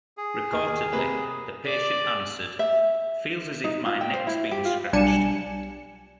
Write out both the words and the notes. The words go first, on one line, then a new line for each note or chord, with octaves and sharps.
Reportedly, the patient answered: "Feels as if my neck's been scratched".
G#4
D#2 F6
C3 A#3 B4
D5
E5
D#4
F4
G5
C5
E4
G4
F4
B1 G3 D4 G#5 C#7 E7